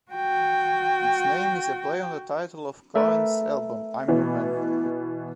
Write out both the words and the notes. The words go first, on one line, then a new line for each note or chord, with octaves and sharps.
Its name is a play on the title of Cohen's album "I'm Your Man".
F#4 G5
A3 A#4 B4 E5
B2 E3 B3